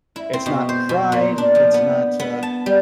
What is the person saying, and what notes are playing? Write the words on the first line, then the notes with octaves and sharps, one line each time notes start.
it's not pride, it's not, uh
E4
C4
B2
C5
B2
A#2
D4
F3
B3
B3
A5
G3